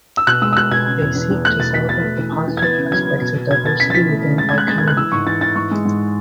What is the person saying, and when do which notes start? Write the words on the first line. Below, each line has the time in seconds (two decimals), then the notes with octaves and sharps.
They seek to celebrate the positive aspects of diversity within our community.
0.17 E6
0.27 B2 F#6
0.42 G#3 E6
0.53 E6
0.57 B2 F#6
0.71 B2 G#6
0.86 C#3
1.01 E2
1.15 E2
1.30 E2
1.45 A3 F#6
1.59 B2 A6
1.74 B2 B6
1.89 B2 A6
2.04 A3
2.19 E3
2.33 E3
2.48 E3
2.57 G#6
2.62 B3 A6
2.77 C#3
2.92 F#3 G#6
3.06 B3
3.21 B2
3.36 B2
3.50 B2 G#6
3.65 B2 A6
3.80 C#3 B6
3.90 A6
3.94 E3 B6
4.09 A3
4.24 C#3
4.38 G#3 A6
4.49 G#6
4.53 G#3 F#6
4.68 G#3 A6
4.78 G#6
4.83 B3 F#6
4.97 E3 E6
5.12 G#2 C#6
5.26 E3 A6
5.41 E3 A6
5.56 G#2 C#6
5.71 G#3
5.85 G#2